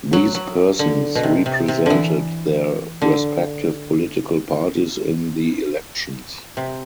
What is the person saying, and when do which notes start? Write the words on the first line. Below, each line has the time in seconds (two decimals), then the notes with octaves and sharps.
These persons represented their respective political parties in the elections.
0.13 F#3
0.35 F#3
0.79 D3
1.15 B2
1.23 C3
1.46 C3
1.68 C3
1.86 D3 E3
3.02 D3
6.57 C3